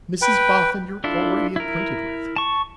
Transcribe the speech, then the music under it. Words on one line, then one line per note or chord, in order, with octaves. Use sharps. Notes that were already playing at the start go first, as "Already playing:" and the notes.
'Mrs Boffin you're already acquainted with.
B4 G5
D4 E4 F4 A4
E4 A#4
A5 C#6